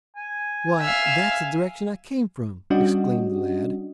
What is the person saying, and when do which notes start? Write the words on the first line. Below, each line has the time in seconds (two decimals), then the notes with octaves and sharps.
"Why, that's the direction I came from," exclaimed the lad.
0.16 G#5
0.80 E5 F5
2.70 G3 C#4 D4 F#4 G4 D#5